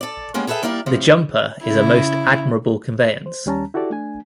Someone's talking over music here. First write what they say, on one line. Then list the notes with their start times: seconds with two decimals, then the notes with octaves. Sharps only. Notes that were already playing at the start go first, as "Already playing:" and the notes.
The jumper is a most admirable conveyance.
0.01 A4 D5
0.34 G3 G#3 A#3 B3 C#4
0.47 G#4 A4 B4 D5 E5 G5
0.63 G3 A#3 E4 A#4 D5
0.86 A2 C3 F3
1.65 C#3 E4
3.26 C5
3.46 D#2 G3 C#4 A5 A#5
3.74 E4 F#4 G4 A4 D5
3.90 A3 D4 G#5